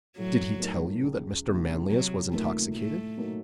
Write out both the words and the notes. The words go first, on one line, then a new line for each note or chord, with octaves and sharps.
"Did he tell you that Mr. Manlius was intoxicated?"
A2 F#3
A3 D#4 A#4
C#2
C3 D#3 A3
C3 F#3
D#3 A3 A#3 F4 A#4
A2 A3
F#3 A#3 D#4 A#4